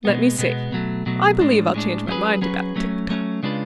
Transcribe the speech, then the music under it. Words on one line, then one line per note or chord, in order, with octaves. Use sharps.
Let me see; I believe I'll change my mind about Tik-Tok.
B2 G#3 B3
B2 G#3 B3
B2 F#3 A3
B2 F#3 A3
A2 G#3 D4
A2 G#3 D4
F#3 C#4 G#4 B4
F#3 C#4 G#4 B4
F#3 A3 C#4
F#3 A3 C#4
C#3 G#3 D4 F4 B4